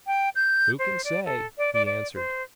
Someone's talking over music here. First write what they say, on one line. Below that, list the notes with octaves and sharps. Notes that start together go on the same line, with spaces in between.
"Who can say?" he answered.
G5
G6
C5
D5
A4
D5
D5
D5
C5